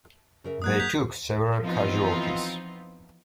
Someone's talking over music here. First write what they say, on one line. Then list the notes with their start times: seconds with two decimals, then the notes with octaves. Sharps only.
They took several casualties.
0.44 C#3 A#4 E5
0.62 F#3 A#3 D4 D#6 F#6 G#6
0.80 G6 B6 F7
1.62 E3 F3 B3 C4 D#4 F4